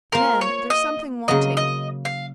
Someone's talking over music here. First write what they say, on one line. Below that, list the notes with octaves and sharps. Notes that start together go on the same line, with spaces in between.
'Man, there's something wanting.
A#3 F4 A#4 C5
C#5
D#5
C#3 F#3 A#3 D#5
D#5
F5